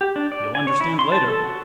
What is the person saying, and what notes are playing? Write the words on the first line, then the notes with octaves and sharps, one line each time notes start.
You'll understand later....
G4
D4
D5
G#5
C#5
E4
C6
A5
A4
F#4